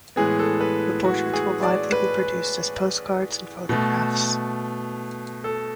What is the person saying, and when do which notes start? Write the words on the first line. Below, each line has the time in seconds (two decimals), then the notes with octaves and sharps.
The portraits were widely reproduced as postcards and photographs.
0.16 A2 E3 G#3 B3 G#4
0.39 A4
0.61 B4
1.04 F#4
1.33 G#4
1.63 D5
1.92 B4
3.69 B2 A3
5.44 A4